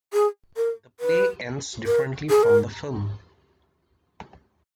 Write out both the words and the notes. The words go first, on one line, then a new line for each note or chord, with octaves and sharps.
The play ends differently from the film.
G#4
A#4
B4
A#4
G#4
A#4